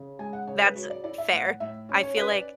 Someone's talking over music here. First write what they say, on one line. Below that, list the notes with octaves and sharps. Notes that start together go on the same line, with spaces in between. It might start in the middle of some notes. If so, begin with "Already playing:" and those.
That's fair. I feel like
Already playing: C#3
G#3 G#5
F#5
C#3 C#5
B4
F#3 C#5
D5
E4 D5
E5
A2 F#5
A2 E5
C#4
C#5
C#4 B4
D5